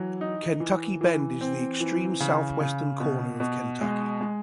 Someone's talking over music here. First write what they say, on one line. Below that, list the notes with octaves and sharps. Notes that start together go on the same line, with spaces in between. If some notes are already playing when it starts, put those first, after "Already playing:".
Kentucky Bend is the extreme southwestern corner of Kentucky.
Already playing: E3 F#3
D#4
E3
E3
C4
E3
C#3
C#3
B2
B2
G#3
G#3